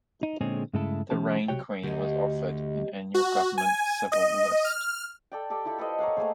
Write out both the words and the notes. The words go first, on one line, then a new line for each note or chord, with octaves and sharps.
The Rain Queen was offered an annual government civil list.
D#4
A#2 D3 G#3 C4 C#4 G#4
G2 C#3 G#3 A3 E4 A4
B1 G#2 E3 C#4 G4 A5
B1 C3 F#4 G4 C#5 G5
D2 G4 D#5
F#4
G#5
D#5
F6
A4 D5 G5
G4 A4 D5 D6
E4 F4 G4 A4
A4 B4 C5 D#5
A#4 C#5 F5 F#5
A3 A#3 G#4 C5